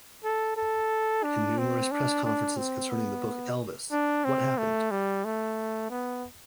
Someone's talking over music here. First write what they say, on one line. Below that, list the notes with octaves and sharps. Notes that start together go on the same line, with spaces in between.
In numerous press conferences concerning the book Elvis, What Happened?
A4
A4
D4
C4
D4
D4
C4
B3
D4
C4
A3
G3
A3
B3